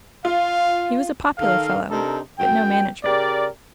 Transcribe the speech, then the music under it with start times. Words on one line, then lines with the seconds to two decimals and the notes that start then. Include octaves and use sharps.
He was a popular fellow, but no manager.
0.25 F4 F5
1.38 D#3 A4 F5
1.90 C3 D4 D#4 A4 A#4
2.38 F#2 G5
3.03 C#3 G4 A#4 D5